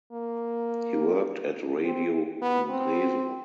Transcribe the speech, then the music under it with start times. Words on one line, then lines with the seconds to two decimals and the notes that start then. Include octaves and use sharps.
He worked at Radio Congreso.
0.12 A#3
1.85 C4
2.42 B3
2.70 C4